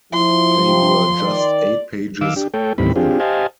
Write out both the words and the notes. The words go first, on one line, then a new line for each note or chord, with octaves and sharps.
They were just eight pages long.
F3 E4 C6
C3
D#3 D5
D#3 F5 D6 E6
D4 G4
A3 A4 C#5 G5
D#2 A2 E3 G3 C4 B5
C4 D4 F4 G4 G#4
G4 C5 D#5 F5 G#5 A5